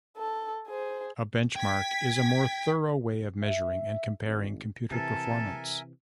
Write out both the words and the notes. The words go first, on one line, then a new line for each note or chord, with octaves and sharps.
A benchmark is a more thorough way of measuring and comparing computer performance.
A4
G#4 C5
G5 G#6 B6
E5
G#1
C3 E3 A4 A#4 E5 G#5 A5